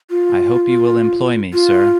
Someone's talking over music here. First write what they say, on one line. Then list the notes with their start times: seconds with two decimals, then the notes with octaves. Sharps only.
I hope you will employ me, sir.
0.10 F4
1.53 F4